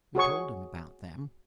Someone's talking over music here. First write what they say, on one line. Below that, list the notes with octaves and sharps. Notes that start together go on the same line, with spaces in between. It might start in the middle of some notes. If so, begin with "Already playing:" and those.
We told him about them.
F#4 G#4 C#5 C#6